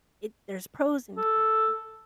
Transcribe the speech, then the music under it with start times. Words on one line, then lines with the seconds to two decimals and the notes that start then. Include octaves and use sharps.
it there's pros and cons.
1.17 A4